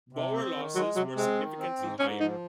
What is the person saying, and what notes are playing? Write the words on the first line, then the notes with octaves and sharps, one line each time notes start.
Boer losses were significantly higher.
C3
C4
D#3
F#3 G#3
C3 F#3
G#3 C4
D#3
C4
G#2
G#2 C#4
F3 D#4